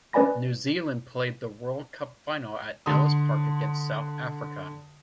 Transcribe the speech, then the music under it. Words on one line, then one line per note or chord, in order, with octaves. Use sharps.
New Zealand played the World Cup final at Ellis Park against South Africa.
C#4 B4 D5 G#5 B5 A#6
D3 C6 D#6